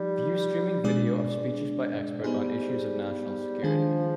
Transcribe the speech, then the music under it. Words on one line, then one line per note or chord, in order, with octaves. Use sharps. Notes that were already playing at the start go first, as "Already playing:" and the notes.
View streaming video of speeches by experts on issues of national security.
Already playing: F3 G3 D#4 G4
B2 G#3 D4 G#4 D5
G3 B3 D#4 G#4 C5
D#3 F3 G#3 D4 G#4